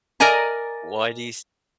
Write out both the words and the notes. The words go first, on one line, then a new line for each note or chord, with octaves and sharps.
Why do you s
A#4 D5 D#5 G#5 A#5